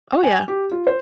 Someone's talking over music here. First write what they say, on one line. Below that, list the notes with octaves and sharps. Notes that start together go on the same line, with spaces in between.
Oh, yeah,
G#5
G4
F4
C5